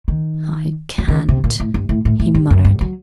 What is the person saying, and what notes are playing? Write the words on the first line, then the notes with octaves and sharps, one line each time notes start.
"I can't!" he muttered.
D#3
F#3
D#3
C3
A#2
A2
G2
A2
A2
A2
G2
F#2
G2
F#3